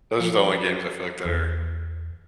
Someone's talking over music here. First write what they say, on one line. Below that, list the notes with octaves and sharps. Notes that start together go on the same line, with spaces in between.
those are the only games I feel, like, that are
F3
E2